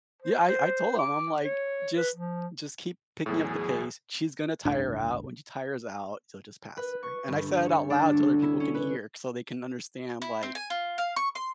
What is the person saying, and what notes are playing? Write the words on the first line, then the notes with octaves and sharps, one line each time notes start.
Yeah, I I told him, I'm like, "Just just keep picking up the pace. She's gonna tire out. When she tires out, so, just pass her." And I said it out loud so other people can hear, so they can understand, like,
C5
C5
D6
C#5
B4
F3
E2 A2 F#3 F#4 G#4
G1 C#2 A2 D4
B4
C#6
G1
C#5
D4
D2
E4
C#4
B4
E4
C4
G#5
F4
F5
C#6
C6